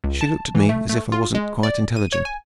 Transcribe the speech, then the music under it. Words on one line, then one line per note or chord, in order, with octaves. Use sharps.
She looked at me as if I wasn't quite intelligent.
C#2
A5
E3
A3
A3
F4
G#3
D5
D#7
C#5
G#5